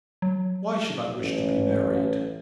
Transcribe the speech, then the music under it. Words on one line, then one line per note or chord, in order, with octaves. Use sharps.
'Why should I wish to be married?
F#3
A1